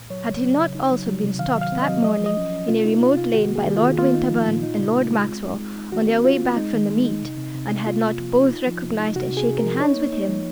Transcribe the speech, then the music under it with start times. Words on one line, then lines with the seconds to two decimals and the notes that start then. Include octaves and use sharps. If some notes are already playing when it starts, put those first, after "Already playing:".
Had he not also been stopped that morning in a remote lane by Lord Winterbourne and Lord Maxwell on their way back from the meet, and had not both recognised and shaken hands with him?
Already playing: A#2
0.10 F#3 C#5
0.27 C#3
0.43 F#3
0.58 C#3
0.75 D#4
0.91 F#3
1.07 F#3
1.23 C3
1.39 D#3 F5
1.55 F#3
1.61 F5
1.72 C4
1.82 D#5
1.88 F#3
2.04 F3 D#5
2.21 F3
2.26 D#5
2.37 C#4
2.52 C#4
2.68 C3 F4
2.85 D#4
3.01 C3 F4
3.17 C3 F4
3.34 D#3 F#4
3.49 A#3
3.56 G#4
3.66 D#3
3.76 F4
3.82 D#3
3.98 A#3 F4
4.14 D#4
4.31 F3
4.47 A#2
4.63 D#4
4.79 C#3
4.95 G#3
5.11 G#3
5.28 C4
5.44 D#4
5.60 G#3
5.76 D#4
5.92 D#3 F#4
6.08 C4
6.25 C4 F4
6.41 C4
6.57 G#3 D#4
6.73 D#3
6.90 G#3
7.05 D#4
7.22 C3
7.37 C3
7.54 C3
7.70 C3
7.86 A#3 F4
8.03 A#3
8.19 F3
8.35 D#4
8.50 D#4
8.67 F3
8.83 C3
8.99 D#4
9.16 C3 F#4
9.32 C3 G#4
9.48 C3
9.58 A#4
9.64 F3
9.80 D#4 C#5
9.96 A#3
10.13 D#4
10.29 F3